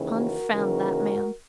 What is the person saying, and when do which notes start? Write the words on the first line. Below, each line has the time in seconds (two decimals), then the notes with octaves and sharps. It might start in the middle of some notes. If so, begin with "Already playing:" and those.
"Confound that man!"
Already playing: D#2 C#3 E3
0.14 F#4 A#4
0.51 D#2 C#3 E3 F#4 A#4